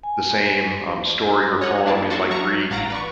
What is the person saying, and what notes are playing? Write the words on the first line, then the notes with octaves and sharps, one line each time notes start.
the same, um, story or poem in, like, Greek,
G#5
C#5 D#5 F#5
A#3 D4 E4 G#4 D5 A5
F#4 A4 A5 C6 C#6
F#3 A5 A#5 C#6
A1 F5 F#5 A#5 A6 D7
B4 D5 C#6